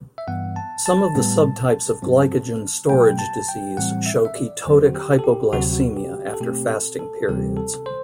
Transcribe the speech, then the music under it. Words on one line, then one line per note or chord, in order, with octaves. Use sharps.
Some of the subtypes of Glycogen storage disease show ketotic hypoglycemia after fasting periods.
E5
G2 E3 B3 F#5
A5
A5
A2 G3 B3
G2 F#3 C4
B2 F#3 A3 G5
A5
G5
A2 E3 G3 C4 F#5
E5
E5
D5
E2 D3 F#3 C4 C5
F#4
G4
A4
G4
D2 C3 F#3 C4 F#4
F#4
G4
A4
B2 A3 C4 G4
A4
A4
D2 C3 E3 G3 C4 G4
A4
C5